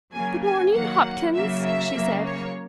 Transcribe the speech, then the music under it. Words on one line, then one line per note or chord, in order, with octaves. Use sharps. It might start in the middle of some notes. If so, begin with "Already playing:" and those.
"Good morning, Hopkins," she said.
C#3 F#3 A#3 G#5
G#5
D#3 F#3 A#3 F#5
C#3 F#3 A#3 E5
E5
C#3 F#3 A#3
C#5